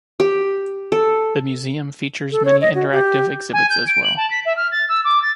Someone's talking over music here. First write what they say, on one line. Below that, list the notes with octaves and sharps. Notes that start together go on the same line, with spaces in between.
The Museum features many interactive exhibits as well.
G4
A4
A4
C#5
D#5
F#4
G4
G#5
G6
D7
F#7
A5
B6
E5
F6
A6
E6
D6
A6